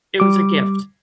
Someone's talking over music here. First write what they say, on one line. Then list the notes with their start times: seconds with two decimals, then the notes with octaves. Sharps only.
it was a gift.
0.20 G3 D6